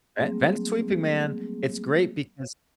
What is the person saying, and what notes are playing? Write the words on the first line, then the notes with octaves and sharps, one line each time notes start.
Vent vent-sweeping, man, it's great because
F#3 G3 A3 A#3 C4 G#4